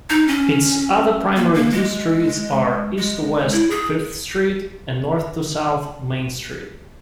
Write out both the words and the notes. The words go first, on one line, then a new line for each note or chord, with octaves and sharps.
Its other primary two streets are east-to-west Fifth Street and north-to-south Main Street.
D#4
C#4
A#3
A#3
G#3
G#3
E4
G#4